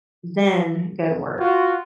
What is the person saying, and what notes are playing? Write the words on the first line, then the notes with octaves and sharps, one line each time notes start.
then go to work,
F4 F#4